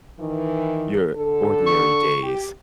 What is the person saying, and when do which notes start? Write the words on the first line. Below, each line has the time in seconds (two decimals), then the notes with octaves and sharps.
your ordinary days
0.20 D#3 E3
1.16 D3 A4
1.67 C#6
2.23 G4